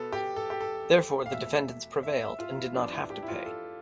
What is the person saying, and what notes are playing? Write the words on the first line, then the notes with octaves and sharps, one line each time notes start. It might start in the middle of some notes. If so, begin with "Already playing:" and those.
Therefore, the defendants prevailed, and did not have to pay.
Already playing: B2 B3 A4
G4
A4
G4
A4
F5
E2 B2 A3 E5
E5
E5
F4
E4
G2 F3 B3 D4
E4
G4
E4
F4
A4